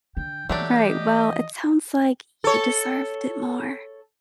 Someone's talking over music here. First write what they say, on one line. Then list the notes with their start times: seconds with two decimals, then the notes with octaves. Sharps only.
Right, well, it sounds like you deserved it more.
0.17 D3 G5
0.49 E3 F#3 A3 D4 G4
0.88 D#5
2.44 A4 C#5